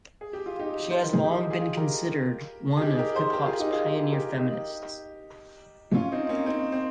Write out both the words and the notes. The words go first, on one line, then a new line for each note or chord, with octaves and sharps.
She has long been considered one of hip-hop's pioneer feminists.
G#4
G4
F4
D#4 G4
C5
A#4
G#4
D#4 G4
F4 G#4
G4 A#4
G#4
D#4 G4
G4 A#4
G#4 C5
G4 A#4
F4 G#4
D#4 G4
F4 G#4
G4 A#4
G4 A#4
D#4 G4
C#4 F4
C4 D#4
A#3 C#4
C4 D#4
C4